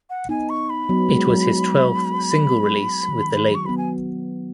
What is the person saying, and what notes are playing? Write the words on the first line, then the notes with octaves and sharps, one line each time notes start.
It was his twelfth single release with the label.
F#5
B3 D#4 G#5
C#6
B5
F#3 B3
G#3
F#3
D#3
D#3
F#3
C#6
F#3 B3 B5
G#5